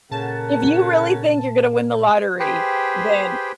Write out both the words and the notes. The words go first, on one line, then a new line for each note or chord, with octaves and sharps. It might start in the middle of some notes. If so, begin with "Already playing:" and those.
If you really think you're gonna win the lottery, then
A#2 C#3 A4 A#4 F#5 A5
G4 G#4 B4 C5 G5